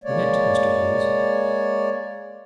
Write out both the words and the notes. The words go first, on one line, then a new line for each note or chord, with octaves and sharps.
We met Mr. Woolls.
G#3 A#3 C#5 D5